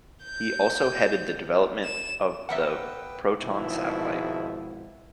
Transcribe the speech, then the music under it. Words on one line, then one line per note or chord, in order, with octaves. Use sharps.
He also headed the development of the Proton satellite.
G6
E7
A#3 B3 A4 B4 E5 F#5 G5
G#1 G#2 B2 F3 E4